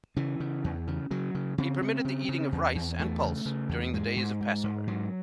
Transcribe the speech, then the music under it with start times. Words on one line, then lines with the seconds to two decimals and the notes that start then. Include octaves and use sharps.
He permitted the eating of rice and pulse during the days of Passover.
0.17 C#3 E3
0.40 C#3
0.64 E2
0.87 C#3
1.11 C#3 F#3
1.35 C#3
1.58 C#3 C4
1.82 C#3
2.05 C#3
2.29 C#3
2.52 E2
2.75 E2
2.99 E2 A3
3.23 C#3
3.46 C#3
3.69 E2
3.94 G#2 G#3
4.16 G#2
4.41 G#2
4.64 G#2
4.87 G#2 F#3